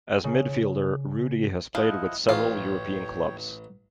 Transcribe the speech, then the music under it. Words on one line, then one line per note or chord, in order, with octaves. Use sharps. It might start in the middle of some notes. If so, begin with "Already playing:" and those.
As midfielder, Rudi has played with several European clubs.
C#3
F3 E4 D#5 F#5
A1 F4 C#5 G5